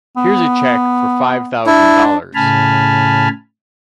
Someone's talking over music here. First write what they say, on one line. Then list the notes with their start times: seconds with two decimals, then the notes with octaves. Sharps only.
Here's a check for five thousand dollars.
0.17 B3
1.67 D4 E4
2.35 A2 C#3 G#5 A5 B5 F6